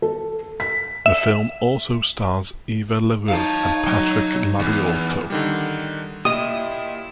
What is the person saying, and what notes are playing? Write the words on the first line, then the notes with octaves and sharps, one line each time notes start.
The film also stars Eva LaRue and Patrick Labyorteaux.
A4
B6
E5
D#4 C#5 F5 A5
F#3
E2
D3 D#3 G3
A#2 E4 G4 D#5 E5 D#6